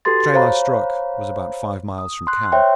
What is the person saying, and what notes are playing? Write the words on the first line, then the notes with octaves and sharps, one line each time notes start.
The trail I struck was about five miles from camp.
F#4 G4 A4 B4 C6 A6
C5 C#5 F5 A#5 B5
D#6
C6 F#6
C5 C#5 E5 G5 C6